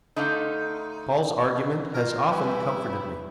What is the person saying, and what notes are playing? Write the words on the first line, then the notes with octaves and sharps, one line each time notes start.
Paul's argument has often comforted me.
D3 A3 D#4 C5 F5
F4 A#4
G3 E4 B4 G#5